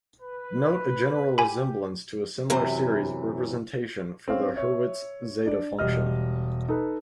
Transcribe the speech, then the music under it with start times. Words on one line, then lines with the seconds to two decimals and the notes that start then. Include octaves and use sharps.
Note a general resemblance to a similar series representation for the Hurwitz zeta function.
0.21 B4
1.38 G4 G#5 B5
2.50 F#2 C3 E3
4.28 C4 C#4 F5
4.56 C#5 E5
5.46 D4 D5
5.79 E1 G3 D#5 F6
6.69 D#4 A4 B4